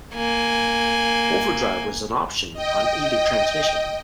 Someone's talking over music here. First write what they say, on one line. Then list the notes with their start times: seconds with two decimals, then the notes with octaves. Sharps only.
Overdrive was an option on either transmission.
0.15 A#3 G#5
2.54 D#5 G5